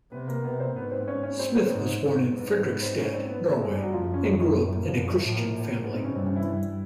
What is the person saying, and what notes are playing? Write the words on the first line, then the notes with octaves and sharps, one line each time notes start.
Smith was born in Fredrikstad, Norway and grew up in a Christian family.
C3 B3 B4
A#3 A#4
C3 B3 B4
C4 C5
G#2 B3 B4
C4 C5
C#4 C#5
C#4 C#5
C4 C5
B3 B4
C#5
C4 C5
G#2
G#2
G#2 B3 B4
C4 C5
B3 B4
C4 C5
C#4 C#5
C4 C5
B3 B4
A3 A4
G2 G#3 G#4
G3 G4
F#3 F#4
F#2 F3 F4
C#3 C#4
G#2 G#3
G#2 G#3
A2 A3
A#2 A#3
F#2 F3
F3
A2 F3
A#2 A#3
A2
A#3
G#2 B2 B3
C3 C4
C#3 C#4
G2 C3 C4
C#3 C#4
E3 E4